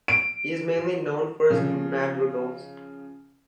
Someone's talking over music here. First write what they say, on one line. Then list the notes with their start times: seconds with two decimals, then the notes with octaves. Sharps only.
He is mainly known for his madrigals.
0.08 D7
1.50 C#3 F3